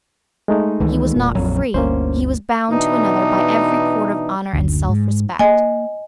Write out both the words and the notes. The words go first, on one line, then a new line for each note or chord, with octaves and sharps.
He was not free--he was bound to another by every cord of honour and self-respect.
G#3 A3 D#4
C#2 D#3 E3
E1 A#2
A#1 F2 F#3
G1 D2 A#3 C#4 C5
B2 E3 D4 D#4
F#1 D2
G#2
A#3 D#5 G#5